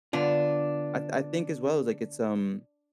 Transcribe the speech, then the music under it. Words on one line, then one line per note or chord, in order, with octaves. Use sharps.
I I think as well, like, it's, um
D3 B3 D4 F4